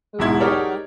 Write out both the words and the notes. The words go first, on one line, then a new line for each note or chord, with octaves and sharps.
Ooh, yeah.
E1 G#2 B2 E4 G#6
D#4 G4 G#4 A#4 C#5 D5